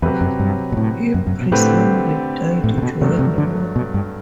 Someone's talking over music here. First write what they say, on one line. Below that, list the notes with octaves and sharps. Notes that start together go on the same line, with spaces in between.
He presumably died during the war.
E2 C3 F#3 C4 G4 B4
F#2
G2
B2
A2
F#2
F#2
B2
A2 D3 A3 C4 G4 B4
A2
C3
B2
G2 C3 F#3 A3 D4
C3
D3
B2
G2